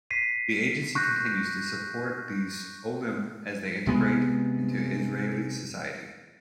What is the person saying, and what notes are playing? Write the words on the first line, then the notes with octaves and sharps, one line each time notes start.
The Agency continues to support these "olim" as they integrate into Israeli society.
B6 C7 D#7
C#6 F#6 G6 A#6
C3 G#3 B3